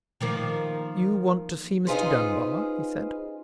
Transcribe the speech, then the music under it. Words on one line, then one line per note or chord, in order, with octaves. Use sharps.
"You want to see Mr. Dunbar?" he said.
D#3 F3 A#3
C#4 D#4 F4 G#4 B4 C5